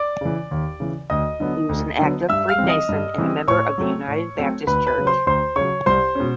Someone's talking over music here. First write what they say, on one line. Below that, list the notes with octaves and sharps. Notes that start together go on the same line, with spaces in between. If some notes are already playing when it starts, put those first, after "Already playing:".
He was an active Freemason and member of the United Baptist church.
Already playing: D5 D6
C#3 E3
D#2
C#3 E3
D2 D#5 D#6
D3 F#3 B3
D2
D3 F#3 B3
G2 E5 E6
F5 F6
E3 G3 C4
D#5 D#6
G2
E3 G3 C4
A2 C#5 C#6
F#3 A3 C4
A2
F#3 A3 C4
D2 B4 B5
B4 B5
C#3 F#3
C5 C6
D2 C5 C6
C#3 F#3 C#5 C#6
C2 C5 C6
B2 G#3 C#4